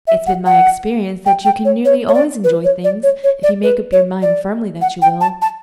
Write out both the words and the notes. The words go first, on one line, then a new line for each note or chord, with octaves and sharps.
It's been my experience that you can nearly always enjoy things if you make up your mind firmly that you will.
E5
F#5
F#5
G5
G5
C#5
C#5
C#5
D5
B4
C#5
D5
C#5
C#5
D5
B4
C#5
D5
F#5
G5
A5
A5